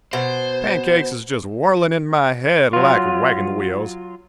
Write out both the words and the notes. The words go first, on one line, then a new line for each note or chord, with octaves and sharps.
Pancakes is just whirling in my head like wagon wheels.
B2 C5
F#3 F4